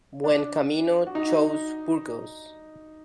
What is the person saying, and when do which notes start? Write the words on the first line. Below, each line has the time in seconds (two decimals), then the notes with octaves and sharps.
Buencamino chose Burgos.
0.24 D4
1.07 F#4
1.15 D#4